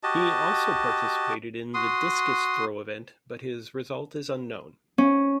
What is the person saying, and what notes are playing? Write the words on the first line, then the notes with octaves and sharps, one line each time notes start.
He also participated in the discus throw event but his result is unknown.
F#4 G4 D#5 A5
F#4 C6 D#6
C#4